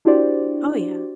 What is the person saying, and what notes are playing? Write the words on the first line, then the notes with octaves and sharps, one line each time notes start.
Oh, yeah.
D4 E4 F#4 G4 C5 D5